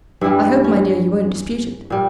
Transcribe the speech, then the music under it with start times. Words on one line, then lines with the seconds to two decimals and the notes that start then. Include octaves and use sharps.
I hope, my dear, you won't dispute it.
0.21 G2 E3 G3 E4
0.64 C#4
1.90 A#2 G3